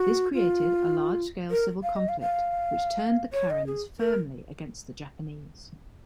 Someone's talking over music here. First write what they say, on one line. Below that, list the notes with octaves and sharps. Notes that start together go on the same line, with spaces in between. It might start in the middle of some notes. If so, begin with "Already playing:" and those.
This created a large-scale civil conflict which turned the Karens firmly against the Japanese.
Already playing: F#4
F4
A#4
F5
D#5
F5
F5
C#5
D#5
G#4
A#4